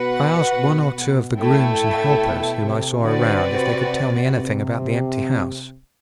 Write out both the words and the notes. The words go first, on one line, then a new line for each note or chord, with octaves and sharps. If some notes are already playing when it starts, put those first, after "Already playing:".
I asked one or two of the grooms and helpers whom I saw around if they could tell me anything about the empty house.
Already playing: B2 F#4 B4 F#5
B2
B2
B2 A3 E4 A4 E5 G5
A2
B2
C3
D3 C4 F#4 B4 D5
C3
C3